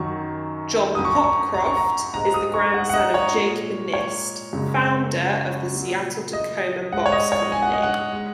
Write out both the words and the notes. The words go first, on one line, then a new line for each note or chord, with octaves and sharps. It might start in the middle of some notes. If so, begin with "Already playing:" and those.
John Hopcroft is the grandson of Jacob Nist, founder of the Seattle-Tacoma Box Company.
Already playing: F#2 D#3 F#3 C#6
F#2 F#3 D#6
C#6
A#5
C#6
A#5
C#6
A#5
G#2 G#3 A#5
D#6
C#6
F#5
F#5
D#5
C#5
A#2 G#3
C#5
F#2 C#3 G#3
A#2 F#3
D#5
G#2 G#3 F#5
C#5
D#5
C#5
G#5
F#5
D#5
F#5
G#3